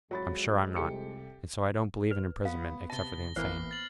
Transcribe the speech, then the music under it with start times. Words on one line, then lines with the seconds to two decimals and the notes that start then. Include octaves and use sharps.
"I'm sure I'm not--and so I don't believe in imprisonment except for the insane."
0.11 F2 F#3 G#3 C#5 B5 A6
0.76 C2 G4 A4 C#7
2.11 B4
2.45 B3 F5
2.90 C3 A5 A6 A#6 G7
3.36 A1 E3 A#3 B3 C5 F6 C7
3.71 A6 F#7